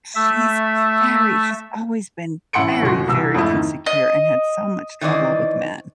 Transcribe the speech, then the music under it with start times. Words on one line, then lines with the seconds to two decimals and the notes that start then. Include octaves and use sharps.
She's very she's always been very, very insecure and had so much trouble with men,
0.15 A3 E5
2.53 A1 E4 F#5 C6 C#7 D7
2.83 G1 C#2 F#4 C6
3.08 C2 E3 E6
3.35 F2 G#2 A3 E4
3.54 D#3
3.86 D#5
5.01 D#3 E3 C4 D5 D#5